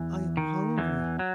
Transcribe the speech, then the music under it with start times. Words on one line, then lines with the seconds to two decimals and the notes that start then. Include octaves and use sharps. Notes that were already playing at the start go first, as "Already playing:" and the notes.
"I am hungry."
Already playing: E2 E3
0.37 D#3
0.78 E2 E3
1.19 F#3